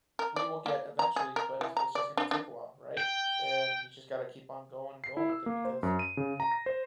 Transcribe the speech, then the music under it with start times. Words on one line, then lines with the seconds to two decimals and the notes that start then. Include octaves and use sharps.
we will get eventually, but it's it's just gonna take a while, right? And, we just gotta keep on going and going with it because
0.19 A#4
0.36 D5
0.66 A#3
0.99 A#5
1.16 G#4
1.36 A#4
1.61 E3
1.77 A#5
1.95 D5
2.17 D4
2.31 D4
2.97 G5
5.04 C7
5.17 E4
5.30 E6
5.46 A#3
5.65 C5
5.83 F#2
5.99 D#7
6.17 C#3
6.40 A#5
6.52 A#6
6.66 C5